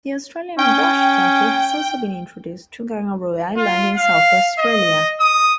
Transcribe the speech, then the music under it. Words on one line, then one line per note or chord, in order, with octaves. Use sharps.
The Australian brushturkey has also been introduced to Kangaroo Island in South Australia.
C#4 G5
F4
F5
D#5
D#6